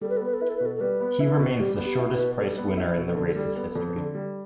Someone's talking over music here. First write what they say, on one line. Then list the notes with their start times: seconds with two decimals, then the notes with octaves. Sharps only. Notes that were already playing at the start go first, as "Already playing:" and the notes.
He remains the shortest-priced winner in the race's history.
0.01 G3 A4
0.10 B4
0.17 A4
0.21 B3
0.26 B4
0.34 A4
0.41 E4 B4
0.49 A4
0.57 B4
0.60 B2
0.66 A4
0.76 A4
0.80 G3 B4
1.00 B3
1.20 E4
1.39 B2
1.60 G3 G4
1.78 B3
1.85 G4
1.99 E4
2.12 B4
2.18 B2
2.38 G3 A4
2.58 B3
2.77 E4
2.98 B2
3.16 D3
3.36 G3
3.56 B3
3.76 F2
3.96 D3
4.15 G3